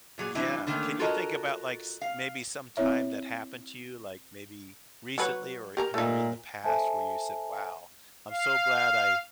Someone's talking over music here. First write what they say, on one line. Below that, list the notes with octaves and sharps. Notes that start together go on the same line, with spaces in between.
Yeah. Can you think about, like, s maybe some time that happened to you, like, maybe recently or or in the past where you said, "Wow, I'm so glad I
A#2 F#3 G#4
E3 F#3 C4 D4 E4
D3 D#3 A3 A#3 C#4
F4 F#4 A4 A#4 C#5 D#5
F5
C4 E4 C#5 E5
F#3 B4 C#5
G4 A#4 A#5
A#2 A3 D#4
A4 C5 E5 G#5 A5
F5